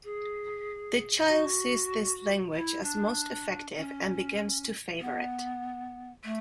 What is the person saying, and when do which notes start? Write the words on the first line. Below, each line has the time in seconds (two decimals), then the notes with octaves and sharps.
The child sees this language as most effective and begins to favor it.
0.04 G#4
1.28 F#4
2.53 E4
2.83 D4
3.76 C#4
5.00 B3
6.24 A3